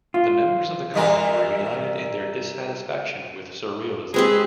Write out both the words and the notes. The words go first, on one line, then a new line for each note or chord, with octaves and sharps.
The members of the College were united in their dissatisfaction with surrealism.
F4
E3 G3 A#4
G#3 C4 G4 G#4 B4